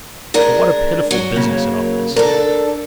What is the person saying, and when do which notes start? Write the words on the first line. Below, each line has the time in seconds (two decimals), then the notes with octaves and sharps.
But what a pitiful business it all is!
0.34 G#3 D4 A#4
1.11 F#3
1.36 C#3 A#3
2.16 D4 A4 A#4